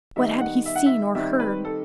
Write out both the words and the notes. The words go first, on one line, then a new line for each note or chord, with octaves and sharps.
What had he seen or heard?
D#3 G3 B3 D#4 E5
F#5
E5
F#5
E5
D#3 G3 C4 D#4 E5
B4
A4